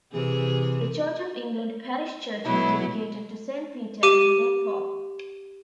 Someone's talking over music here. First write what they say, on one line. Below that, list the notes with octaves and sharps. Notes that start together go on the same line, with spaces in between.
The Church of England parish church is dedicated to Saint Peter and Saint Paul.
C3 E3 G#4
B2 F#3 E4
G4 D6 D#7